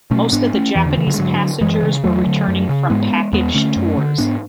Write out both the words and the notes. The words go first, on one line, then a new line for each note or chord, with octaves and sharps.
Most of the Japanese passengers were returning from package tours.
B2 A3 C#4
G#2 B3 D4
A3 C#4
E2 E3
D3
C#3 E3
D3 F#3
G#3
G#2 D3 F#3
F#2 E3 G#3
C#3
E2 F#3 A3
D3
F#2
C#3
G#2 G#3 B3
E2 G#3 B3
D3 A3 C#4
F#2
D3
G#2 B3 D4